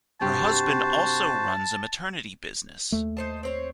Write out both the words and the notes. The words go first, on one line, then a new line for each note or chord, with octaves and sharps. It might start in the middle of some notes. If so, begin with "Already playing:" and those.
Her husband also runs a maternity business.
G2 C3 F#4 G4 C5 A5
D#2 A3
D#4 C5 A5
C4 C5 C#5